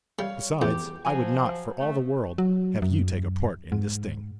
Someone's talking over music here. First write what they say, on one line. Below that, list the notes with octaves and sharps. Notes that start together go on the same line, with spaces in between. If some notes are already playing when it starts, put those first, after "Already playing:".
Besides, I would not for all the world have you take a part in this thing.
G3 C#5 F5
E2 G4
F3 F#3 G#5
G#2 C#3 A3
F#3
F#2
G#2